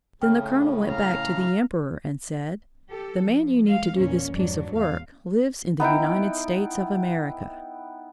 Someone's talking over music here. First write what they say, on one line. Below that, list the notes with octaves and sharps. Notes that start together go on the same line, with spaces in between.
Then the colonel went back to the emperor and said: "The man you need to do this piece of work lives in the United States of America."
A2 C#3 G5 F6
F5 A#5
G4 A4
F3
G#3 F5
E2 A#2 A#3 C#4
F2 G#2 F#3 D4
E2 F5
B3 D#4 E4 G5